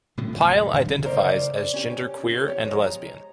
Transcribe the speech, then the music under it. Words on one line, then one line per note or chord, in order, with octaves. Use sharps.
Pyle identifies as genderqueer and lesbian.
A2 D3 F3 F#3
F1 F#3
F1
A2
D#1 D3 D#3 G3
G#2 C#3 A#4 C5 D5 A#5
C#4 G4
G4 C#5
F3 G#3
A#5